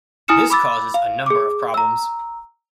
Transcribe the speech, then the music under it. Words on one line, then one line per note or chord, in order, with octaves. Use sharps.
This causes a number of problems.
E4 G#5 D#6 F6 C#7 E7
B5 D6 E6 A6
F5
G#4 D6
A#5 E6